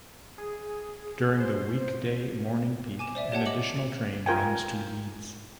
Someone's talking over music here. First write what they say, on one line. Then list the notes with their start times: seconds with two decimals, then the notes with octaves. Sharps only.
During the weekday morning peak an additional train runs to Leeds.
0.38 G#4
1.40 C5
2.99 G#5 D6 E7
3.15 C5 D5 E5
3.32 G4 C#5 F#5 A5
3.46 D#5 D6 C#7 F#7
4.26 F4 A#4 G5 G#5